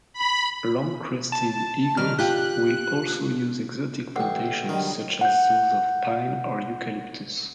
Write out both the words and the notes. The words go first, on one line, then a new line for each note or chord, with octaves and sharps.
Long-crested eagles will also use exotic plantations such as those of pine or eucalyptus.
B5
A5
D#3 G3 F6
F4 G4 F#6
A1 F#5 G5
D3 D#3 F#3 G3
F#5 G6